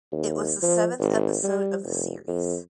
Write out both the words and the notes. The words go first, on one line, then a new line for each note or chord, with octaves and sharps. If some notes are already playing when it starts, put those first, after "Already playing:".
It was the seventh episode of the series.
D#2
F3
G#1
G3
F1
F2